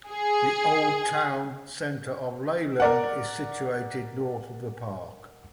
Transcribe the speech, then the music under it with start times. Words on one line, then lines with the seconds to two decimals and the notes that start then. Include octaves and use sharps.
The old town centre of Leyland is situated north of the park.
0.10 G#4
2.80 A#4 D5 F#5